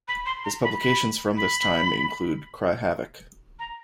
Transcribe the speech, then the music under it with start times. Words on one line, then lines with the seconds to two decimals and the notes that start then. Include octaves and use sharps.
His publications from this time include Cry Havoc!
0.08 B5
0.26 C6
0.44 A#5
0.64 B5
0.81 B5
1.37 B5
3.59 A#5